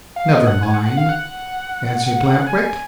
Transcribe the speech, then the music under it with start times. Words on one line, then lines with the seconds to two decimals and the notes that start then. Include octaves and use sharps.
"Never mind," answered Lamp-Wick.
0.16 F5
0.32 D#5
0.47 F#5
0.63 G#5
0.74 F#5
0.86 F#5
0.97 F5
1.09 F#5
2.47 G#5
2.63 G#5